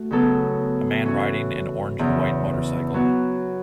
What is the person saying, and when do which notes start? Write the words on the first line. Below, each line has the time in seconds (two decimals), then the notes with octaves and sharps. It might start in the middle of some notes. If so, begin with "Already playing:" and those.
A man riding an orange and white motorcycle.
Already playing: A3 F#4
0.11 C#3 F#3 B3 A4
1.03 E3 C#4 F#4
1.99 E2 C#3 E3
2.94 F#3 B3 F#4